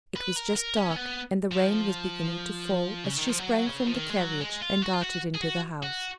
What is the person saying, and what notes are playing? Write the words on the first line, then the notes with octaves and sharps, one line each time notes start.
It was just dark, and the rain was beginning to fall as she sprang from the carriage and darted into the house.
B4
A#4
A#4
C#4
C#4
B3
F3
C#3
D#3
F3
F#3
C#3
F3
D#3
G#3
F#3
G#3
F4
F#4
F4
F#4
G#4
F#4
F#4